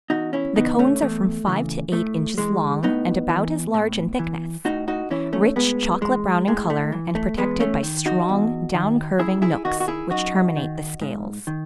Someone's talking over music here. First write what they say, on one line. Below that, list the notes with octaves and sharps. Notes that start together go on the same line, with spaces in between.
The cones are from five to eight inches long and about as large in thickness; rich chocolate-brown in color and protected by strong, down-curving nooks which terminate the scales.
E2 D#4 F#4
C#4 E4
C#3 E3 B3 D#4
A3 C#4
E2 A3
C#3 E3
A2 A3
E3 G#3
A2 B3 D#4
E3
A2
E3
A2 D#4 F#4
D#4 F#4
E3 C#4 E4
A3 C#4
A2 G#3 B3
E3 G#3
A2 G#3
A3
E3
A3
E2 G#3 B3
A3 C#4
D#3
D#4 F#4
E2
D#3
F#2 E4 G#4
E4 G#4
D#3 D#4 F#4
F#4
E4 G#4
F#2 D#4 F#4
D#3
G#2
D#3